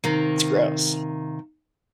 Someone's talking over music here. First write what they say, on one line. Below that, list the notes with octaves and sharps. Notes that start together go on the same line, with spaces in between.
it's gross.
C3 D#3 A#3